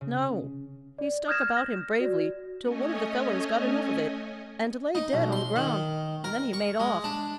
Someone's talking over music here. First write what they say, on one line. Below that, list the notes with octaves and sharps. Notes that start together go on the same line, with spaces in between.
"No; he struck about him bravely, till one of the fellows got enough of it, and lay dead on the ground; and then he made off."
C#3
D5
D#6 F6 G6 G#6 A#6 E7
A#6
F#4 D5
A3 C#4 C#5 D#5 G#5
D#4
B1
C6
D#3
A#4
C#6
G#3
D4